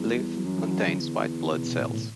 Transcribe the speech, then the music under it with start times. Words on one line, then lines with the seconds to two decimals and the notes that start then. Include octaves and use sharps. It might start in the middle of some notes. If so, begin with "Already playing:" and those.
Lymph contains white blood cells.
Already playing: E2 G3
0.17 G3
0.37 F#3
0.44 F#2 E3
0.59 E3
0.71 F#3
0.85 D3
0.99 E2
1.52 C3
1.66 B2
1.80 A2
1.94 A2